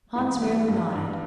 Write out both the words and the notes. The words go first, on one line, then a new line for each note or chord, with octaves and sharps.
Hans merely nodded.
G2 E3 G#3
G3 G#3 B3
G2
G2